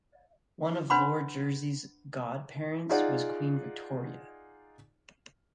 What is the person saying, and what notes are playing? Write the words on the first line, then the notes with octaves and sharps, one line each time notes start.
One of Lord Jersey's godparents was Queen Victoria.
D4 B4 C5 F#5 B5 C6
D#4 F4 G#4 D5 F#5